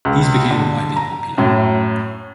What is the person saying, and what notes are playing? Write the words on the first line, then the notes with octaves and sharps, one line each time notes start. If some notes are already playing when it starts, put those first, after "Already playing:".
These became widely popular.
C#2
D3
A#5
F#2 A2